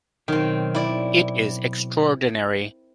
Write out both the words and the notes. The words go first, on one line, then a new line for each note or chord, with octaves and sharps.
It is extraordinary.
B2 D#3 F#3 C4 C#5
E4 D5